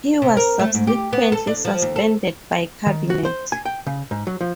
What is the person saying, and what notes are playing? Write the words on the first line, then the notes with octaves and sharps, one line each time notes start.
He was subsequently suspended by Cabinet.
C3
A#4
A3
G#2
G4
B3
A4
D4
F3
D#2
A4
D#3
F#4
C5
G#5
G5
C#3
G#2
F#3
F3